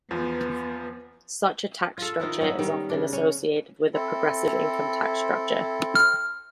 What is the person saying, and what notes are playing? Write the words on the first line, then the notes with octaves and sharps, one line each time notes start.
Such a tax structure is often associated with a progressive income tax structure.
E2 F3 B3
F4 A4
D#3 F3 D#4 E4
B3 C#4 D#4 E5
D#3 G3
C#3 D4
C#4
C4 E4 A4
F6